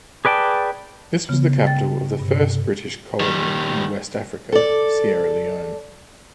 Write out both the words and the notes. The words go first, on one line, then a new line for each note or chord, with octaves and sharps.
This was the capital of the first British colony in West Africa, Sierra Leone.
G#4 B4 D5 G5 A5
C#3 B3
G5 A6
G2 C3
D#3 G3
A4 D5